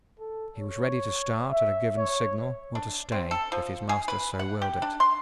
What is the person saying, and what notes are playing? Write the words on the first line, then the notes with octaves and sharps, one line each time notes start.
He was ready to start at a given signal, or to stay, if his master so willed it.
A4
C#5
E5
C#5
D4
C4
A4
F3
G#4
B4
F#5
G4
D4
C6